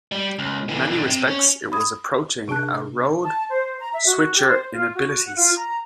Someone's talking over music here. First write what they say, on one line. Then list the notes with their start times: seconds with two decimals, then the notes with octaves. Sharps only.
In many respects it was approaching a road switcher in abilities.
0.12 G3
0.39 C#2
0.69 D3 E3
0.90 B1 D3
1.07 C3
1.27 C#4
1.72 B5 D#6 G#6
2.48 C3 D4 G#4 A5 F#6
3.23 A5
3.50 C5
3.80 A#5
3.93 E5
4.06 F#4
4.35 G4
4.48 C5
4.73 F4
4.95 F#4
5.23 F#5
5.36 F4
5.57 A#5